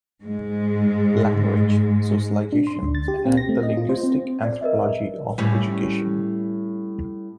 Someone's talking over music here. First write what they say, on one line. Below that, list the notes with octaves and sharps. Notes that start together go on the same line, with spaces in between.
Language Socialization and the Linguistic Anthropology of Education.
G#2 G#3
D4
C6
D2
A6
G4
C4
A#6
A3
D#5
F4
C5
C4
D5
A#4 B4 D#5 E5
A2 G3 C#4